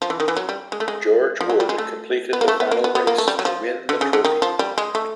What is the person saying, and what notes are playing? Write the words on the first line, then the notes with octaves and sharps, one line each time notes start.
George Wood completed the final race to win the trophy.
F3
E3
D#3
E3
F#3
G3
G#3
A3
G#3
F3
F#3
G3
G#3
A3
B3
A#3
A3
B3
A#3
B3
B3
A#3
A3
G3
F#3
F3
D3
C#3
D3
D#3
F3
G3
G#3
A3